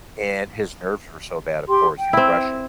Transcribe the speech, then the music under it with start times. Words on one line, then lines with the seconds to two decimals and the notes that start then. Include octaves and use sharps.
and, his nerves were so bad, of course, you're rushing,
1.68 G4 G5 C6
1.98 G5
2.13 C4 E4